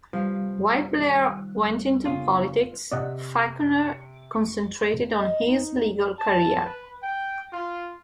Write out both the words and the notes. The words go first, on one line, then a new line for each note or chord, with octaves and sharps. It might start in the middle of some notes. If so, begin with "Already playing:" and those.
While Blair went into politics, Falconer concentrated on his legal career.
C3 F3 G3 B4 F5
D#3
G1 C#3 F4 G#4
C3 D5 D#5 F#5
D#5
D#4
A5
B4
G5
F4